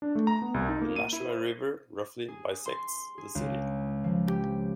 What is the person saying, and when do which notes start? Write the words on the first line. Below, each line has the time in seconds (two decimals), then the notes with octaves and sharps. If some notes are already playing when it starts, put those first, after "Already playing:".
The Nashua River roughly bisects the city.
0.02 D4
0.15 A3
0.27 A#5
0.42 B3
0.54 C2
0.69 D#4
0.81 A#3
0.96 D#7
1.13 E4
1.25 C5
2.28 G#4
2.66 C6
3.18 G#4
3.35 C#2
4.04 F3
4.27 G4